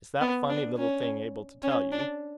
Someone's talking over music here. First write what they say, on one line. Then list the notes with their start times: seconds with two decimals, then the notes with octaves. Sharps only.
"Is that funny little thing able to tell you?"
0.21 B3
0.50 D4
0.78 C#4
1.63 C#4
1.92 D4